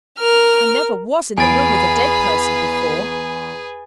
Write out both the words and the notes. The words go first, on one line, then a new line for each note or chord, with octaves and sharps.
'I never was in the room with a dead person before.'
A#4 F6
E2 G#4 B4 F5 G#5 B5 A6 D7